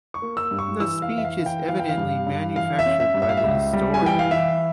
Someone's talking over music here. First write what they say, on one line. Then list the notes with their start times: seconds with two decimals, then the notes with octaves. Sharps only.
The speech is evidently manufactured by the historian.
0.14 C#6
0.22 A#3
0.37 E6
0.51 G2
0.59 C#6
0.80 E3 E6
1.02 F5
1.10 E3
1.18 E5
1.25 F5
1.39 E3
1.46 G5
1.69 E3 F5
1.79 G5
1.89 F5
1.98 G2
2.27 G2
2.56 E3 F5
2.79 E5
2.86 C#4
3.00 E5
3.14 G2
3.22 E5
3.29 F5
3.37 E5
3.44 C#2
3.73 G3
3.94 G#5
4.02 E3 G5
4.19 F5
4.31 E3 E5